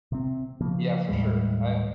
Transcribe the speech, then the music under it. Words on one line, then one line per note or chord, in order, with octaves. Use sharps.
Yeah, for sure. I
C3 C4
C#3 F3 A#3
D#2 A2 G3 G#3